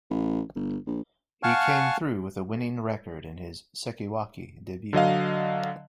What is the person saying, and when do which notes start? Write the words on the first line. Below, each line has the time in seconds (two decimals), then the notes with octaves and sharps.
He came through with a winning record in his "sekiwake" debut.
0.10 A1
0.56 G1
0.87 A#1
1.43 F5 F#5 G#5 A5 C#6 F6
4.93 D3 F#3 D#5 F5